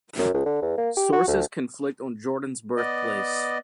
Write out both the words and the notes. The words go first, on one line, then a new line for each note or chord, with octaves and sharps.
Sources conflict on Jordan's birthplace.
F#2
C#2
D3
E2
A#3
G4
F#4
D2
B3 D5 D#5